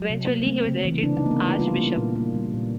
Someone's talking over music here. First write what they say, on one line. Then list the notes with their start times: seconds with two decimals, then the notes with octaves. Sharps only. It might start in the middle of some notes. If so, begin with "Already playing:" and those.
Eventually he was elected archbishop.
Already playing: F#3
0.10 C3
0.27 A#3
0.46 A3 C4
0.66 C#3
0.85 E3
1.03 C#3 D4
1.17 D#4
1.21 C#3 A#3
1.31 B3
1.41 A3 E4
1.59 G3 F4
1.78 A#3
1.97 A#2
2.16 A#3
2.35 G3
2.54 A#2